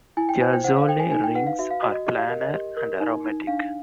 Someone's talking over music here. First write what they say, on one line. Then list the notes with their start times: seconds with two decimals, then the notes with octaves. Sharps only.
Thiazole rings are planar and aromatic.
0.17 E4 G#5
0.29 G5
0.41 C5 G#5
0.53 G5
0.64 C5 F#5
0.76 F5
0.88 A4 G5
1.00 G#5
1.11 D#4 G#5
1.24 G5
1.35 B4 F#5
1.47 F5
1.59 F#4 E5
1.71 F5
1.82 F#4 D#5
1.94 D#5
2.07 G4 D#5
2.18 F5
2.29 A#4 D#5
2.41 D#5
2.54 G4
2.77 A#4
3.00 D#4
3.25 D#4
3.47 D4 F5